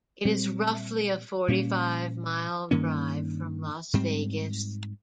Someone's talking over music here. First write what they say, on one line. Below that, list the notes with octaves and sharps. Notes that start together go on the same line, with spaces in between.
It is roughly a forty-five mile drive from Las Vegas.
A#2 G3 C4
A#2 G3 A#3 C#4
G2 D#3 A#3 C#4
G#2 G3 C4